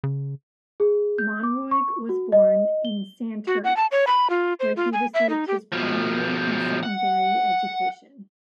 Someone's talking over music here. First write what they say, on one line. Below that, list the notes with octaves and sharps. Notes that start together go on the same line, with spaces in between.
Monroig was born in Santurce, where he received his primary and secondary education.
C#3
G#4
G6
D6
C#6
F#4
D#5
G7
F#4
F#5
A5
C#5
B5
F4
C5
F4
G#5
E5
D#4
G4
B2 F3
F#5